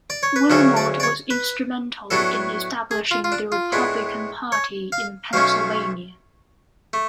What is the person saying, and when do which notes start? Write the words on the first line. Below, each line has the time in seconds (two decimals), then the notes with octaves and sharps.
Wilmot was instrumental in establishing the Republican Party in Pennsylvania.
0.10 D5
0.23 C#5
0.36 B4
0.50 D2 C#3 F#3 C#4 A4
0.77 D5
1.00 D5
1.03 C#5
1.30 B4
2.11 A2 F#3 B3 D4 A4
2.91 G#4
3.11 F4
3.24 F4
3.32 D4
3.52 F4
3.72 A2 G#3 B3 D4
4.52 C#5
4.92 F5
5.33 B1 B2 A3 C#4 F5
6.93 A3